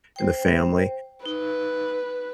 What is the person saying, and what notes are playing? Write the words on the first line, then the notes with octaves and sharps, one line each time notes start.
and the family.
C5 G5
D#4 B4